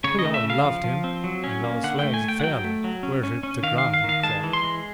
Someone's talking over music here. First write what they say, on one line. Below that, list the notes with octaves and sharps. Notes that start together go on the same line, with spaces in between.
We all loved him, and our slaves fairly worshipped the ground he trod.
C#3 C#5
D#5
A3
E5
C#3
F5
F3
F3
C4
F#3
C#4
A#3
D3 F#5
A3 G5
G#5
A3 G5
F#5
F#3 G5
A3
F#3
C#4
C#4
C#4
D#3 F5
F5
D#3
F5
D#3
F5
G#3 A5
E3
C6
G#3